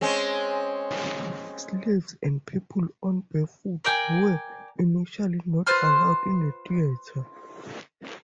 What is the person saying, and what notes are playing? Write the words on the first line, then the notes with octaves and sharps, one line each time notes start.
Slaves and people on barefoot where initially not allowed in the theatre.
G#3 C4 C#4
A#4 D5 G5 G#5
F4 B4 C5 F6